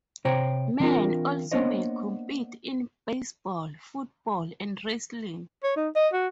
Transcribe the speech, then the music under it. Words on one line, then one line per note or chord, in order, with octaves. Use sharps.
Men also may compete in baseball, football and wrestling.
C3 C5 C#5 G5 A#5
E3 C4 D4 F4 A#4
A#3 B3 D4 C5 C#5 D#5
C#5
D#4
D#5
F#4